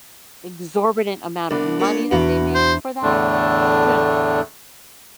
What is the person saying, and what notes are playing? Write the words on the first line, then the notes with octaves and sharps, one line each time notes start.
exorbitant amount of money that they make for that should
C2 B3 D4
A#2 C#5
E2 B2 B3 D7
C5
E2 A2 D3 A3 D4